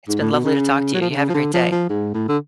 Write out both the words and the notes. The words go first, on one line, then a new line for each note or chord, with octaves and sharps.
It's been lovely to talk to you. You have a great day.
G#2
A2
B2
C#3
F#3
F3
D3
C#3
F3
D3
F3
F3
G#2
A2
D3